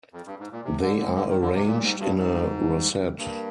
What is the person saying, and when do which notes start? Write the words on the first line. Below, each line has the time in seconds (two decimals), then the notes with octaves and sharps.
They are arranged in a rosette.
0.13 F2
0.26 G2
0.40 G#2
0.52 A#2
0.64 C3 G#3
0.81 D3
0.98 D3
1.15 D3 G3
1.28 D#3
1.41 D3
1.54 C3
1.66 A#2 G3
1.83 G#2
2.00 G2
2.17 G#2 G3
2.68 G3
3.19 G2 A#3